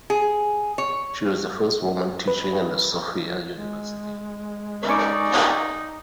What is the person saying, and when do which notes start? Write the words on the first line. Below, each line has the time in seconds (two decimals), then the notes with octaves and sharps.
She was the first woman teaching in the Sofia University.
0.10 G#4
0.78 C#5
2.28 B4
3.54 G#3
4.88 D#4 D5 G#5 C#6 D6